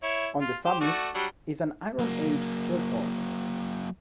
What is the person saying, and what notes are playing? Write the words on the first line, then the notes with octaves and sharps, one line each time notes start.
On the summit is an Iron Age hillfort.
E4 C#5
F4
G4 C5
A3 F#4 D5
F#3 G3 D4
F#3 A#3